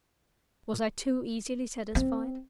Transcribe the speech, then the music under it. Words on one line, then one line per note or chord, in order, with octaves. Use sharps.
Was I too easily satisfied?
C4